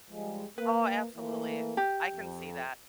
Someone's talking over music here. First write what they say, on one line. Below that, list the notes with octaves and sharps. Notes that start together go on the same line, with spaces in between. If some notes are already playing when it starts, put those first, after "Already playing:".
Oh, absolutely. I can see that.
F3 G3 G#3
A#3 B4
E3 A3 A#3
G4
F2